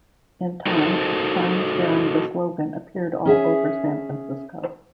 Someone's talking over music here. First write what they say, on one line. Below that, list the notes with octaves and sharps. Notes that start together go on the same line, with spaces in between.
In time, signs bearing the slogan appeared all over San Francisco.
D#4 F#4 A4 A#4 C5
C#4 G#4 E5